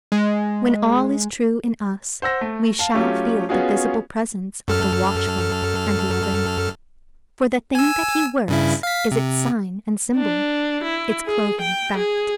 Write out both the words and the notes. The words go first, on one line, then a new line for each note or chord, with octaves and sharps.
When all is true in us, we shall feel the visible presence of the Watchful and Loving; for the thing that he works is its sign and symbol, its clothing fact.
G#3
C5 F#5 E6 A#6
A3
F5 A5
F#3 A3 C#4 F4 G4
B3 C#4 F4 F#4 G#4
F#2 A4 F6
G#5 E6
G2 C#3 E4
F5 B6
C3
D4
E4
G#4
G5
G#4